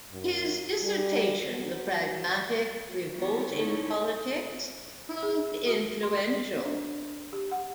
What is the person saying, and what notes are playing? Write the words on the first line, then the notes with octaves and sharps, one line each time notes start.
His dissertation "The Pragmatic Revolt in Politics" proved influential.
F#2
G3
F#3
G3 B3 E4 F#4 C#5
D3 C#4 D#4 E4 C#5
G#4
F#4
C6
D5
D4
G4
F#5